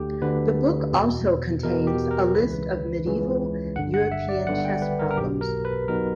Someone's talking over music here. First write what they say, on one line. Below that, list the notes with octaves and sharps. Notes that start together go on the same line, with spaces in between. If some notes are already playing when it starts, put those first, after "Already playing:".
The book also contains a list of medieval European chess problems.
Already playing: D2 D3 G4
D2 D3 B4
E2 B2
E2 B2 A#4
G4
A#4
C#2 C#3 E3 B4
C#2 C#3 E3
G1 G2 D3 F#5
F#5
E5
D5
G1 G2 D3 F#5
G5
B4
A#4
A#4
B1 B2 G4
A#4
B4
B1 B2 A#4